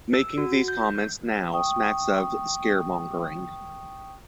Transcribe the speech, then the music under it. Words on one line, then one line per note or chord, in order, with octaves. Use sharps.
Making these comments now smacks of scaremongering.
E6
F#4
G6
G5 C#6 D#6